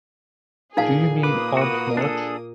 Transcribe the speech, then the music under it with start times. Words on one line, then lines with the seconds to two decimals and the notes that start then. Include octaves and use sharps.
Do you mean Aunt March?
0.77 A#2 D#4 G#4 F5 A5
1.23 A#3 B4 D6 D#6
1.57 F#4 B4
1.97 D4 G#4 A4